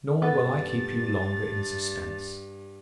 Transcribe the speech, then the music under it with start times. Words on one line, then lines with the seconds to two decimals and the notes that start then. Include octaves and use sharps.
Nor will I keep you longer in suspense.
0.22 G2 B3 A4 B4 A6